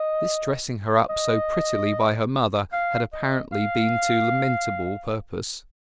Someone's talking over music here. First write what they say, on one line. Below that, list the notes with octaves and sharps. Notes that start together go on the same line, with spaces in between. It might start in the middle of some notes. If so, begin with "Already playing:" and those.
This dressing her up so prettily by her mother had apparently been to lamentable purpose.
Already playing: D#5
D#5
F5
D#5
F5